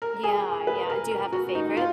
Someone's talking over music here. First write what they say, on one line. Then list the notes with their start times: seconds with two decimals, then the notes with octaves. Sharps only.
Yeah, yeah, do you have a favorite?
0.02 A#4
0.24 G#4
0.67 B4
0.89 A#4
1.11 A#4
1.32 F#4
1.55 D#4
1.77 F4